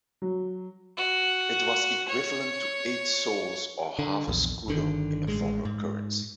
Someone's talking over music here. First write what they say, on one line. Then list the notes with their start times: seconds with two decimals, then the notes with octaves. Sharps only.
It was equivalent to eight "soles" or half a "scudo" in the former currency.
0.22 F#3
0.97 F#4
2.08 C#5
3.99 D3
4.28 A#1 E2
4.68 G1 D3 D#3
5.27 A1 G#3
5.65 G#2